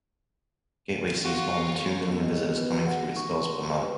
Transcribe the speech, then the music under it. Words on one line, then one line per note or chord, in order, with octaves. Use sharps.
Gateway sees more than two million visitors coming through its doors per month.
F4 F#4 C#6
B3
D#5
B3
B4
F#4
F#5
A#6
C#6
C6
G4
B4